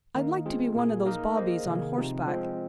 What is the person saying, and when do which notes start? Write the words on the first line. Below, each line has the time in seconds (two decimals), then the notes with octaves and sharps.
I'd like to be one of those bobbies on horseback.
0.16 D#3 A#3 D#4
0.46 G#3 C4 F4 G#4
0.75 A#2 A#3 G#4
1.06 A#3 D#4 A#4 D#5
1.37 A#3 G#4 C5 D#5
1.66 C3 D#3 A#3 G#4
1.96 C3 F3 C4 D#4
2.26 F3 G#3 C4 F4